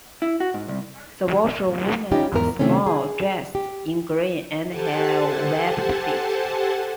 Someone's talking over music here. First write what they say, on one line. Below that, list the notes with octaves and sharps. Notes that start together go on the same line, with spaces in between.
The washerwomen are small, dressed in green and have webbed feet.
E4
F#4
G#2
C2
G3 C#4 D#4 F4 G4
E2 G#2 B3 A#4
C3 D#3 A3 C4 C#4
G#4
G4
G4 A4 C5 F#5 G#5 A5